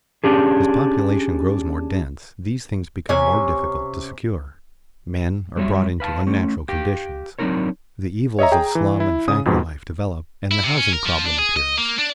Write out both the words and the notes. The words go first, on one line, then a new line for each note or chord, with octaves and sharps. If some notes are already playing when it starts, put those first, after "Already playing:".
As population grows more dense, these things become more difficult to secure; men are brought into unnatural conditions, the evils of slum and factory life develop, and the housing problem appears.
C#4 D4 G4 G#4
C3 C#4 G#5
F#3 G3 C#5 D#5 E5
B4 F5 G#5 A5
A3 C#4
G4 F5 G5
F#3 C4 D4 D#4 A#4 C#5
C#5 D#5 E5 A#5
G#4 G5 A#5
E3
E4
C#3 D#6
F2 G#2 B2
E4
C3
C#4
A#4
F3
D4
G#4
D#5
A#3
D4